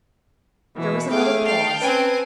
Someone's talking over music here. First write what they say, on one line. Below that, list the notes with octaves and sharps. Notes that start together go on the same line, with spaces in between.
There was another pause.
B2 E3 C#6
A3 G#4 F5 G5 D6
F5 G5 A5 C7
C4 C#4 B4 G#5